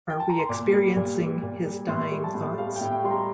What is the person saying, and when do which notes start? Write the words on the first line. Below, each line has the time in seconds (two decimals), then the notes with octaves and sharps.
Are we experiencing his dying thoughts?
0.10 G5
0.20 A5
0.29 A#5
0.39 C6
0.49 A#2 D6
0.72 G3
0.96 A#2
1.20 G3
1.43 A#2
1.65 G3
1.88 A2 C6
2.11 G3
2.24 A5
2.34 A2
2.58 G3 F5
2.76 A2 G5
2.93 G5
3.04 G3 C6
3.11 A#5